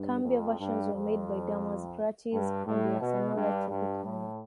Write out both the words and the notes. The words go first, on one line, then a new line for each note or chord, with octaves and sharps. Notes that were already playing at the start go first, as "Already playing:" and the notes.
Cumbia versions were made by Damas Gratis and La Sonora Tropicana.
Already playing: G2
F2
G2
F2
G2
A2
B2
G2
G2
A2